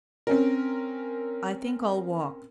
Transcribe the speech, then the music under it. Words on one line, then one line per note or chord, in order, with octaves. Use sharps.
"I think I'll walk."
C4 C#4 A#4